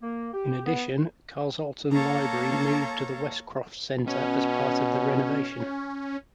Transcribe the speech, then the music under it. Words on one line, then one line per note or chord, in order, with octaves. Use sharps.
In addition, Carshalton Library moved to the Westcroft centre, as part of the renovation.
A#3
G4
B3
A#3 A4 C#5 F5 A5 A#5
B2 C#4